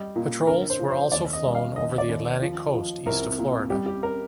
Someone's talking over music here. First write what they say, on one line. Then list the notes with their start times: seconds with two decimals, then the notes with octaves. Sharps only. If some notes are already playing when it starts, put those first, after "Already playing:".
Patrols were also flown over the Atlantic Coast east of Florida.
Already playing: G3 D#5
0.16 A#2
0.47 D3 A#4
0.70 C5
0.79 F3
0.90 C5
1.12 D#2 D5
1.33 D#5
1.45 G3
1.55 F5
1.76 D#2 D#5
1.98 D5
2.09 D#2
2.42 F3
2.73 F3
3.06 C2 A#4
3.39 A#2
3.70 G3 G4
3.86 G4
4.03 A#4